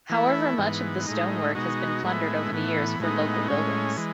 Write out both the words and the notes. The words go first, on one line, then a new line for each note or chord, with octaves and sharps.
However much of the stonework has been plundered over the years for local buildings.
E3 A3 E4
G#2 E3 B3
A2 G#3 D#4
B2 G#3 D#4 F#4
A2 G#3 B3 E4
A2 E3 B3
A2 G#3 B3 D#4
A2 G#3 C#4
E3 G#3